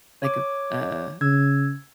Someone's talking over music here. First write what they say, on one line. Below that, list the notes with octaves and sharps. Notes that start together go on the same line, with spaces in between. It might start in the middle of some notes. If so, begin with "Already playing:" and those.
like a, uh,
C#5 D6
C#3 E6 G#6